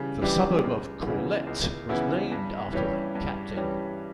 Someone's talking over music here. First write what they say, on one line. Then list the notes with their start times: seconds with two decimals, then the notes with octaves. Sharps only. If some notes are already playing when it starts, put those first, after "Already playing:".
The suburb of Corlette was named after the captain.
Already playing: C#3 E3 G3 G4
0.21 E3 G3 D4 G4
0.64 C#2
1.06 C#3 E3 B3 E4
1.47 C#2
1.89 C#3 E3 B3 E4
2.32 G2
2.73 E3 G3 C#4 G4
3.15 G2
3.56 E3 G3 C#4 G4